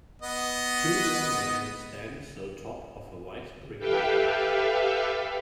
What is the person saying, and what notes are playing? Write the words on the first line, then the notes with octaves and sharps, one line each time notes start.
Two young men stand so top of a white brick wall.
B3 D#5
G4 A4 B4 E5 F5 G5